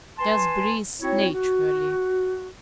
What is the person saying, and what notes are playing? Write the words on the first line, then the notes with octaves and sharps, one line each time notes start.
"Just breathe naturally."
B4 G#5 A5 C6
C4 D#4 E4 F#4 C#5
F#4